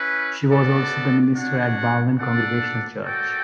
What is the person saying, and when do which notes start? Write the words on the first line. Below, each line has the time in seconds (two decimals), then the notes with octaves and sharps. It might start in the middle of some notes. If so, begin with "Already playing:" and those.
She was also the Minister at Balmain Congregational Church.
Already playing: C#4 E4 B4
0.51 B3 D4 F#4 A4 D5
1.35 D4 F#4 C#5 F#5
2.19 D4 A4 D5 F#5
3.03 F#4 A4 D5 G5